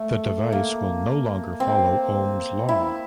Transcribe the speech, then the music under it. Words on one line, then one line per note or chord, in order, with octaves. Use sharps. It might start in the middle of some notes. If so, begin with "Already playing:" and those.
The device will no longer follow Ohm's law.
Already playing: A3
A#3
C4
E4